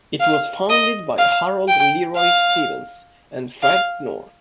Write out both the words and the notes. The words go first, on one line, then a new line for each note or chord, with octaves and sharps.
It was founded by Harold Leroy Stevens and Fred Knorr.
F5
D#5
F5
G5
F5
F5